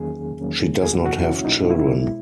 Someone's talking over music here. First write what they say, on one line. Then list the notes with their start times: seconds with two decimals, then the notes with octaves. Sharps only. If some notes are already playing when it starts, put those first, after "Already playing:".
She does not have children.
Already playing: E2 D#3 F#3 A#3 C#4 G#4
0.41 E2 D#3 F#3 A#3 C#4
0.82 G#4
0.92 C#2 B2 F#3 A#3 F#4
1.05 F#4
1.19 E4
1.31 C#4
1.44 C#2 B2 F#3 A#3 D#4
1.70 E4
1.96 B2 G#3 B3